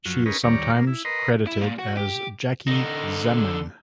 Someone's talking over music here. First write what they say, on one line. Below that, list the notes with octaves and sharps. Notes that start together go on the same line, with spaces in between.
She is sometimes credited as Jackie Zeman.
F#2 F3 F#3
C#4 D#4 G#4 A#4 B4
D#2 G3 C#5 D5 A#5
A#2 A#3
E4
A#4 B4 D#5 A#5 C6
E4
A#2
F#4
G4
D3 D#4